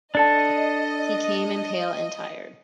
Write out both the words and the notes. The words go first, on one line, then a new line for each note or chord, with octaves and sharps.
He came in pale and tired.
D4 A4 D5 D#5 A5